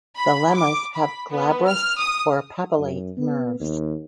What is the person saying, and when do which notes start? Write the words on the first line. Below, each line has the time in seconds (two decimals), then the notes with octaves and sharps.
The lemmas have glabrous or papillate nerves.
0.17 B5
0.55 D6
0.96 B5
1.30 B3
1.67 F6
1.98 D#6
2.79 F#2
3.17 B3
3.60 D#2